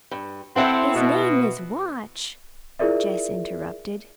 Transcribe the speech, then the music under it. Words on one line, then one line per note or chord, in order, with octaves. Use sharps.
"His name is Watch," Jess interrupted.
G2
C4 E4 A4 F#5
B2
E4 F4 G#4 A#4 D5 E5